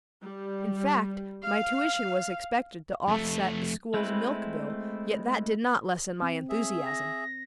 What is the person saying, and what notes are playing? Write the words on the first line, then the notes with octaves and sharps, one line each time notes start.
In fact, my tuition was expected to offset the school's milk bill, yet that did not lessen my enthusiasm.
G3
F5
F2 A3
G#3 A3 C4 E4 B4
C4
G#4 E5
A#6